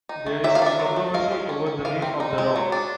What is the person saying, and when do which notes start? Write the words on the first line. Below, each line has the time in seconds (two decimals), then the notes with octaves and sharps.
There is some controversy over the name of the rock.
0.09 D#4
0.26 A3
0.44 F#3 E5
0.55 F5
0.62 D4 E5
0.80 F#3
0.96 A3
1.14 G#3 F5
1.32 G#3
1.49 C#4
1.67 C#4
1.85 E3 F5
2.02 C4
2.20 D#4
2.38 G#3
2.56 F#3
2.72 D4